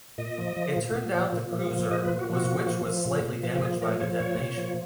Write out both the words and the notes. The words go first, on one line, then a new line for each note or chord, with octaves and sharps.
It turned out the cruiser was which was slightly damaged by the detonation.
A#2 D#5
F3
F3
A#2
A#2
F3
A#2
F3
F3
A#2 D#5
B4
A#2
F#4
F3 F#4
A#2
F3
F3
A#2
A#2
F3
A#2 G#4
F3 A#4
F3 C#5
A#2 C#5
A#2
F3